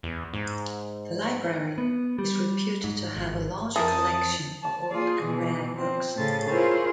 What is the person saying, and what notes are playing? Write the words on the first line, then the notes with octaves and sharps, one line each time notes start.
The library is reputed to have a large collection of old and rare books.
E2
G#2
B3
G3
G#2
G#1
F2 E3 F3 A#4 A5 D#6
A5
A#3 F4 G#4 D5
B2 E3
F3 C4
A2 C#3 A4 A6
E4 F4 G#4 A#4 C5 C#5